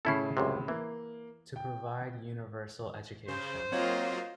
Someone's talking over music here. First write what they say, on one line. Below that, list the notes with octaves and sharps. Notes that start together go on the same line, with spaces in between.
To provide universal education.
A2 C#3 C#4 E4 A4 C7
C#2 F#2 C3
E3 A#3
G5
C#3 C5
F#3 A#3 C4 F4 C#5 D#5